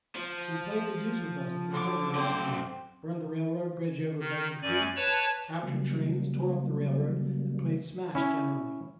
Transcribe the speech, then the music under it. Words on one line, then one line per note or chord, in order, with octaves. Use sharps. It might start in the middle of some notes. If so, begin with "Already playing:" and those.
He played the deuce with us in Kentucky last winter: burned the railroad bridge over Bacon Creek, captured trains, tore up the railroad, and played smash generally.
F3
D3 D6
F#2 C4 C5
D#3
F#2 D5 G#5
B4 C#5 A5
C#3 F#3 G3 A#3
C#4 E4